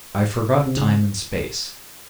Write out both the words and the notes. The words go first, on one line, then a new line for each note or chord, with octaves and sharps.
I forgot time and space.
C#3
C3
C#3